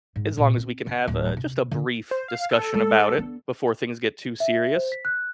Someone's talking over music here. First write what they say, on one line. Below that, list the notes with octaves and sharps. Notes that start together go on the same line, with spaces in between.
as long as we can have, uh, just a brief discussion about it, before things get too serious,
G#2
A#2
C4
C#3
D1
C3
D3
C5
F5
A4
G#3
B3 D4
E5
C5
B6
F#6